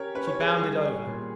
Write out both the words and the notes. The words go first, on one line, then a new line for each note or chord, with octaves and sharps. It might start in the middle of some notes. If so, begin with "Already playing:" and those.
She bounded over.
Already playing: C#4 G4 A#4 C#5
C#4 B4
C#5
G#4 B4
G3
A#2